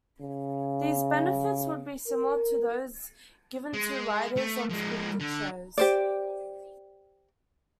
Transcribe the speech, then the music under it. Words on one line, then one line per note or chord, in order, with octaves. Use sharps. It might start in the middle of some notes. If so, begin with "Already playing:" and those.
These benefits would be similar to those given to writers on scripted shows.
C#3
A#4
G#3
A3
F3 G#3
D3
G4 C5 D5